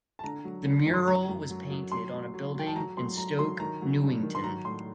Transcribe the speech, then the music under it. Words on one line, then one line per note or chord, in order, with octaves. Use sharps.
The mural was painted on a building in Stoke Newington.
A5
D3 A#5
F#3
D3
F#2
C6
F#3 A#5
F#2
F#3
F#3
F#3 C6
F#3
F#3
F#3 G5
A5
F#3 A#5
F#3 C6
F#3 A#5
F#3 C6
D#3 A#5
F#3
G2
D#3
C6
F#3 A#5
A2 C6